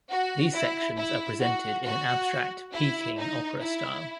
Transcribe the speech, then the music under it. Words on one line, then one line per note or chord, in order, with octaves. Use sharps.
These sections are presented in an abstract, Peking opera style.
F#4
E4
E4
F#4
F#4
E4
D#4
E4